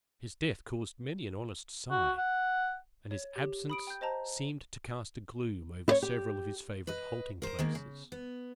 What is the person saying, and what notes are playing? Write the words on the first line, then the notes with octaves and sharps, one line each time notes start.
His death caused many an honest sigh, and his absence seemed to cast a gloom over several of his favorite halting-places.
F#4
F#5
C#5
G4
B5 D#6 D7
G5 G6
C5 D#5 A5 A#5
E4 C#5
G4
B4 D#5
A#4 C5
D#3 G#3 A#3
C#3
B3